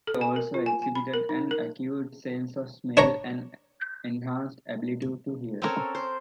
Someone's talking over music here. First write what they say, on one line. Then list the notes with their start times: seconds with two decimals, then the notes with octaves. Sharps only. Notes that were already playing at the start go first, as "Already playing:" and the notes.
They also exhibited an acute sense of smell and an enhanced ability to hear.
0.07 A4
0.21 G#5
0.36 A#4
0.54 F4
0.66 G#5
0.82 G#5
0.95 B5
1.14 A#4
1.29 D#4
1.51 A#4
2.97 D4 C#5 A#5
5.62 C4 C#4 A4 A#4 C#5
5.95 C5